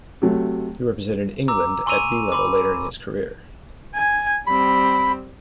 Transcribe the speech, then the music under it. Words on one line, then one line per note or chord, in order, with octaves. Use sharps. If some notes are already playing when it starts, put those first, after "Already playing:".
He represented England at 'B' level later in his career.
C3 F#3 A3
A#5 D6 E6
G#5 C6 C#6 E6 D#7 F7
B5 C6 D6
G#5
G3 C4 B5